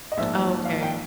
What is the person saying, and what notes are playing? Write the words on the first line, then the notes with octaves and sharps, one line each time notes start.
Oh, okay.
D#5
A#1 G#2 F3 A#3 E5
F5
G5